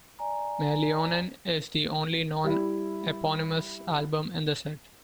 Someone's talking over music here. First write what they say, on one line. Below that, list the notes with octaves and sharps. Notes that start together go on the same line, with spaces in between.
"Meillionen" is the only non-eponymous album in the set.
D5 G#5 A#5
G3 E4